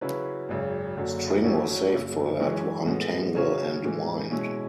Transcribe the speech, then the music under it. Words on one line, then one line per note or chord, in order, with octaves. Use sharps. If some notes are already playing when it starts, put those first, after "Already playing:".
String was saved for her to untangle and wind.
C#3 F#3 C#4 E4 B4
G#1 F#2 C#3
F#1 F#2 D3 F#3
A1 A2 F#3 C#4 E4
F#1 F#2 C#3
F#2 E3 G#3 C#4
A2 G#3 B3
C#3 F#3 C#4 F#4 C#5
A2 E3 G#3
B2 G#3 C#4 E4